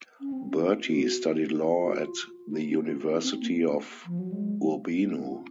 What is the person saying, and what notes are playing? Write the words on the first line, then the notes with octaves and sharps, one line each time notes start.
Berti studied law at the University of Urbino.
C#4
C4
C#4
F4
F#4
F4
F#4
F4
D#4
C#4
F4
D#4
C4
A#3
F3
F#3
G#3
A#3
C4
C#4
F4